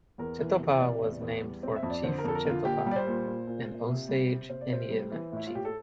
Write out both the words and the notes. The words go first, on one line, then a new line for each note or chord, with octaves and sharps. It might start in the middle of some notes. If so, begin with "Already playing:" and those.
Chetopa was named for Chief Chetopah, an Osage Indian chief.
E2 A#4
E3
C3
C3 D5
E2
E2
G3
C4
E5
F2
D5
D3 C5
A#4
F2 A4
A#4
D3 F4
A#2 G4
G3 D5
C5
A#2
A#2
A#2
A#2
C3
G3
C3
C3 C5
D5
C3 C5
G3
E3
A2 E4
F4
A2 G4
A4